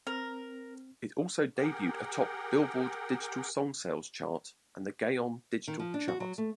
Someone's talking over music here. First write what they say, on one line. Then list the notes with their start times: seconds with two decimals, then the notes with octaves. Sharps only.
It also debuted atop "Billboard" Digital Songs Sales chart and the Gaon Digital Chart.
0.07 C4 A#4
1.57 G4 G#4 A#4 F#5 G5
5.68 D#3
5.79 F3
5.94 D4
6.08 F#4
6.20 F#3
6.38 A3